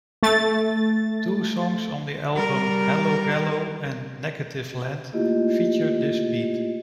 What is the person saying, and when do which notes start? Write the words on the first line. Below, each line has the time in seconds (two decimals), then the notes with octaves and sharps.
Two songs on the album, "Hallogallo" and "Negativland", feature this beat.
0.23 A3 A6
2.35 G3 A#4
5.13 A3 A#3 E4 F4 G4 D#5